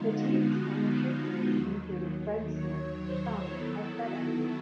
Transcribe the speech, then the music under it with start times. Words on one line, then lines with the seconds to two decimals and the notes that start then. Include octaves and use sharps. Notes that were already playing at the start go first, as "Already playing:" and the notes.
The team's ownership group included Fred Smith, founder of FedEx.
Already playing: D3 F3 G#3 B3 D#4 F4
0.10 F#4
0.58 F#4
1.56 D#2 D#3 F#3
2.53 C#5
3.02 C5
3.50 D#3 F#3 B3 E4 A4
3.99 F#4